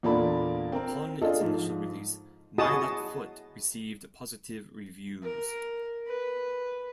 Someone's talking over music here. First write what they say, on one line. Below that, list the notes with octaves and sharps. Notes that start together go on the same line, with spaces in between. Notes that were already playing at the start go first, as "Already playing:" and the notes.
Upon its initial release, "My Left Foot" received positive reviews.
E2 A#2 A#3 D4 A4 B5
C4 A#4
D4 F4 G#4 A4 D#5
G#2 F3
E4 F#4 G#4 D#5 A5 D#6
A#4
B4